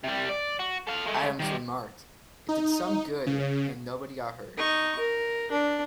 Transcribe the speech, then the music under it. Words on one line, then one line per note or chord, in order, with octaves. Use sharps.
Adams remarked, It did some good and nobody got hurt.
C3 G3
D5
F#4
A4 F5
G#3 A3
D#3 G3
D#4
C#3
D#4 C#6
A#4
D4